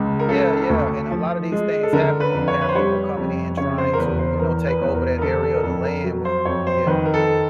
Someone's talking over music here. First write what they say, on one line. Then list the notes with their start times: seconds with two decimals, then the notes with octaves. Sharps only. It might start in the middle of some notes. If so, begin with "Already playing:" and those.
Yeah, yeah, and a lot of these things happen when you have people coming in, and trying to, you know, take over that area of the land wa Yeah.
Already playing: C#2 G#3
0.19 A#4
0.28 C#3 A4
0.69 D2
1.11 F3
1.52 G#3
1.83 A4
1.93 D3 A#4
2.20 B4
2.34 F2
2.48 C#5
2.61 B4
2.69 C5
2.75 G3 C#5
3.17 F2
3.57 C#3 C#5
3.78 C5
3.93 A#4
3.99 E2 B4
4.19 C5
4.40 E3 A#4
4.68 B4
4.81 E2
4.95 A#4
5.18 A#4
5.22 D3 A4
5.43 A4
5.55 A#4
5.63 F2 A4
5.84 A#4
6.04 F#3
6.25 C5
6.45 F2 C#5
6.67 C5
6.87 D#3 B4
7.05 A#4
7.14 A4